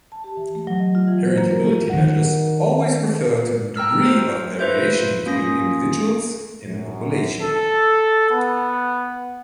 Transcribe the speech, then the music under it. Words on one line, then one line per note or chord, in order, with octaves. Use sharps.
Heritability measures always refer to the degree of "variation between individuals in a population".
A5
G4
E3
A3
F#3
D#5
F4
E3
C5
A#3
A#4
F4
D#3 F#5
G5 A#5 E6 F6
C5
F4 B4 C5 E5 G6
A#3 C#4 F4 D#6 A#6
F#2
A4
B3